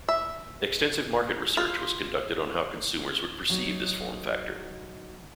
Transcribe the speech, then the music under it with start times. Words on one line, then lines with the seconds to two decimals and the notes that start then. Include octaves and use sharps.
Extensive market research was conducted on how consumers would perceive this form factor.
0.08 E5
1.57 F4
3.50 F#3 D#4